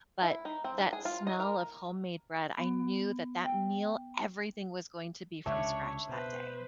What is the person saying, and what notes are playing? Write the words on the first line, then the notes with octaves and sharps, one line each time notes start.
but that smell of homemade bread, I knew that that meal, everything was going to be from scratch that day.
E4
D#4
C4
D4
G#4
F4
D#5
A#4
B3
G5
C#2 C3 D4 C#5 E5 C#6
B2 B4 C5